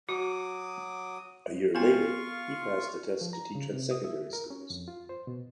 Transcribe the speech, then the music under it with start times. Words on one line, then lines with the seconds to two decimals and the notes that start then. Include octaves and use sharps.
A year later he passed the test to teach at secondary schools.
0.09 F#3 F#4 D6 D#6
1.75 B3 F4 F5 G#5 C#6
3.21 F3
3.33 A#5
3.55 C#3
3.72 C3
3.91 D#6
4.04 E5
4.33 A#4
4.50 C#4
4.70 F2
4.88 F4
5.09 C5
5.27 B2